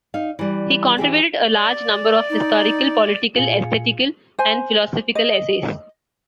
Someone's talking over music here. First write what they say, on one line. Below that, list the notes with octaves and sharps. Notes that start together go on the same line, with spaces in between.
He contributed a large number of historical, political, esthetical and philosophical essays.
D#4 F5
E3 G3
E3 G4 G#4 C5
D5
D#4
A#2 F4 G#4 G#5 C#7
C5 G#5
D#5